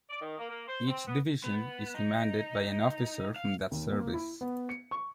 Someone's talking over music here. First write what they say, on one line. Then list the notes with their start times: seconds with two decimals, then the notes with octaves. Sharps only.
Each division is commanded by an officer from that service.
0.10 D5
0.22 D#3
0.38 A#3
0.49 A#3
0.68 C5
0.87 C4
1.07 B3
1.44 B3
1.94 D#4
3.36 F5
3.71 D#2
3.92 A#3
4.14 E4
4.41 B3
4.69 C#7
4.91 C#6